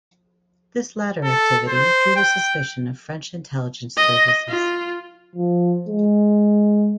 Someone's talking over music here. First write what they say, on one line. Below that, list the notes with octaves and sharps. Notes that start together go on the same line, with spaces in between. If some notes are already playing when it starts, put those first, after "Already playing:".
This latter activity drew the suspicion of French intelligence services.
A4
C5
G5
D#5
F4
F3
G#3